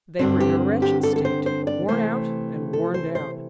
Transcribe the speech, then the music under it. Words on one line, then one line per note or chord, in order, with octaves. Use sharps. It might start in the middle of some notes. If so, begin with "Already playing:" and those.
They were in a wretched state, worn out and worn down.
G2 D3 C4 D4
G4
G4
A4
A4
C5
C5
D5
C3 E3 A3 C5
A4
C5
C5